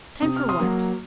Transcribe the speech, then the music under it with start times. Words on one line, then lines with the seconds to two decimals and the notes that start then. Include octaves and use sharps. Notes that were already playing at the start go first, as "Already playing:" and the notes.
"Time for what?"
0.22 C3 D#6
0.36 F6
0.49 C6 D#6
0.60 F#3 A#3